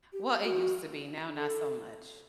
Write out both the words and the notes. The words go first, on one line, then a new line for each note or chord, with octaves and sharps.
Well, it used to be, now not so much.
G4
F#4
A4